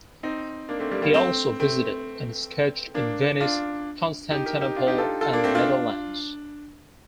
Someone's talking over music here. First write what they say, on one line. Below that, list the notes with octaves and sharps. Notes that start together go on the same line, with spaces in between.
He also visited and sketched in Venice, Constantinople and the Netherlands.
C4 D#4
A#3 D4
A3 C4
G3 A#3
G3 A#3
A3 C4
A3 C4
A#3 D4
D4 F4
D#4 G4
G4 A#4
D#4 G4
D4 F4
D#4 G4
F4 A4
F4 A4
A#3 D4
A3 C4
D4 F4